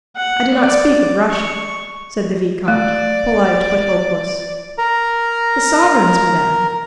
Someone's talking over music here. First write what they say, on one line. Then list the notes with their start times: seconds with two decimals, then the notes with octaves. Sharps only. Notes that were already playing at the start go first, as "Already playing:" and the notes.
I do not speak of Russia," said the vicomte, polite but hopeless: "The sovereigns, madame...
0.16 F#5
0.54 D5
1.30 C#6
2.68 A3 D5
4.78 A#4 A#5